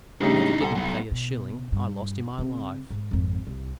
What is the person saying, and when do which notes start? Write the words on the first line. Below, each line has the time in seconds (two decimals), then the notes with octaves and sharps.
Never didn't pay a shilling I lost in my life!
0.21 A2 C#3 G3 D4 D#4
0.61 C2 A4 F#5
0.75 F#3 B3
1.12 B2
1.72 G2
2.39 C#3 C4
2.90 G#2
3.11 G#1 F2
3.47 C2